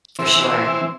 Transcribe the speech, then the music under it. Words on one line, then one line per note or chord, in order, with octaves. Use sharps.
For sure.
E3 C4